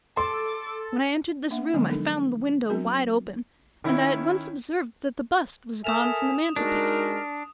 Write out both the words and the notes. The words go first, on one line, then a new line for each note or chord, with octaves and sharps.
When I entered this room I found the window wide open, and I at once observed that the bust was gone from the mantelpiece.
A4 C6 D6
A#3 D4 E5 F#5
D3 F3 F#3 G#3 B3 C#4
D4 D#4 A4 A#4
F#3 B3 C4 D4 F#4 A#4
D#3 C#4 E4
A4 A#4 E5 G#5 D#6 E7 F7
G#3 D4 D#4 F#4 A#4